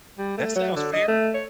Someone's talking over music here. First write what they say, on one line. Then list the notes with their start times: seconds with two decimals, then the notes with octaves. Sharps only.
That sounds fair.
0.18 G3
0.38 A3
0.55 F#3
0.76 D3
0.93 D#5
1.08 A3
1.34 C#5